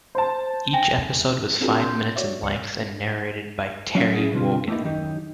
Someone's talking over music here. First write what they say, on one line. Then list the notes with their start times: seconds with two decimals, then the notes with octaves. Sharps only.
Each episode was five minutes in length and narrated by Terry Wogan.
0.15 C5 A5
0.73 G5 G#5 A#6
1.61 C4 D4 F4 F#4 G#4 A#4
1.80 C6 G6
2.16 F#4 C#5 D5 E5
2.42 C#2 D5 C#7
3.95 F#3 G3 C#4 E5 F#5
4.14 C#4 E4 G#4
4.32 B2 D3 G3 C4 F4
4.68 A3 A#3 D#4 E4
4.84 F#2 D#3 D#4 G4